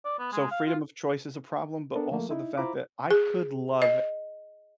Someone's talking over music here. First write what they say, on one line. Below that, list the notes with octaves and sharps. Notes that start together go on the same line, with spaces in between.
So, freedom of choice is a problem, but also the fact that I could love
D5
B3
G#3
F5
F4
B3 D4 A4 A#4
F3 A3 A#3
D#4 E4
E4 F4 C5 A#5 B5 D6
G#4
D#5